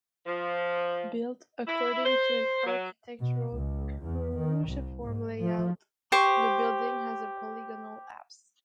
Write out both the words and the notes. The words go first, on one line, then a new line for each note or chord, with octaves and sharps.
Built according to an architectural cruciform layout, the building has a polygonal apse.
F3
E4
C5
F#3
B2
C#2
E2
D#3
C2
G#2
F3
G4 C5 C#6